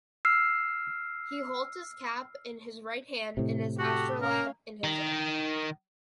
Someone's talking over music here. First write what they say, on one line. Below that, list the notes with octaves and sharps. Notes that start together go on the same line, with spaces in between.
He holds his cap in his right hand and his astrolabe in his right.
E6 F6 C7
A2 C3
F#4 G4 A4
C#4 A#4 F5
D#3